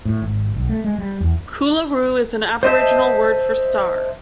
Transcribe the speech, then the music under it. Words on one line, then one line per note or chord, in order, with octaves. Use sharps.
Coolaroo is an Aboriginal word for 'star'.
A2
G#1
B1
A3
G#3
G3
E2
C5 D#5 E5 A5